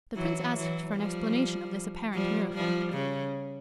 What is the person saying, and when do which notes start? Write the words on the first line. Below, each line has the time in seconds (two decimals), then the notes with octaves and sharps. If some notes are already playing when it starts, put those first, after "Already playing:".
The Prince asked for an explanation of this apparent miracle.
0.15 E3 F#3
0.56 E3 F#3
0.95 F3 G3
2.14 F3 G3
2.54 F3 G3
2.93 C#3